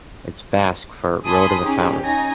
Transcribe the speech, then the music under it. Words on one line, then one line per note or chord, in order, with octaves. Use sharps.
It is Basque for "Road of the fountain".
G#5 A5 B5 C6 D#6
C#4 D#4 G4 G#4
C#4 D#4 G#5 A#6